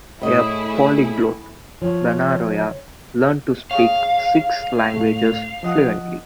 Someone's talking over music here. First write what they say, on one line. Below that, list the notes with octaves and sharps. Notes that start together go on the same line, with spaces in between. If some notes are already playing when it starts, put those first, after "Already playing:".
A polyglot, Benaroya learned to speak six languages fluently.
A2 A3 E4 G#4 D#5
F3 C#5
G#4 C#5 F5
A2 A3
F3 D#5 F#5